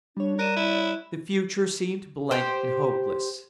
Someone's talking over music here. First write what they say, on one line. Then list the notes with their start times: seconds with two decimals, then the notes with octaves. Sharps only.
The future seemed blank and hopeless.
0.17 G3 D4 C#5
0.39 A#4 D5 F#6 D#7 E7
0.57 E4
2.31 G4 C5